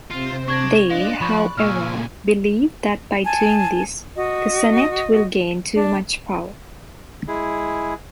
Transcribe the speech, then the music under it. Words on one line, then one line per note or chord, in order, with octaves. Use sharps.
They, however, believe that by doing this, the Senate will gain too much power.
C3 C4 F4 C5
D4 C#6 G#6 A#6
D4 D5 D#5 F5 C6 F#6
F3 B5 C#6
A#2 C#3 G#5 C#6 E6 F6
G#5 A5
F#4 D#5
D4
G#3 E4 G#4